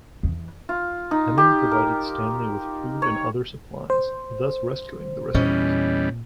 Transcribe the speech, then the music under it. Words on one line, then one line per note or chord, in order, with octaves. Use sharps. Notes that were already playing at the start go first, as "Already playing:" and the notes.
Emin provided Stanley with food and other supplies, thus rescuing the rescuers.
E2
F4
D#4
G4
A#4
C#5
C5
E2 A#2 G3 C#4 D#5